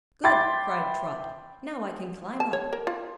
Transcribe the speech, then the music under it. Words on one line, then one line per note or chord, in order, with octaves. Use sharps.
"Good!" cried Trot; "now I can climb up."
E5 G5 B5 C6 D6 A6
A5
C#5
A#4
F4